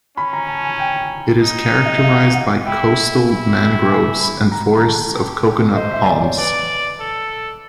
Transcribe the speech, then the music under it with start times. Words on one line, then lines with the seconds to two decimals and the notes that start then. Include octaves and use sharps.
It is characterized by coastal mangroves and forests of coconut palms.
0.17 C#4 B5
0.33 A#5
0.48 A5
0.64 G#5
0.79 G5
1.42 D#4
1.85 D#5
1.95 E5
2.03 F5
2.27 F5
2.34 F#5
2.65 E4 G5
3.28 E4
3.82 G5
3.90 G#5
4.21 B5
4.52 A#5
4.77 A#5
4.83 A5
5.13 G4
5.75 C5 D#5
5.91 E5
6.06 D5
6.22 C#5
6.38 B4 D5
7.00 A4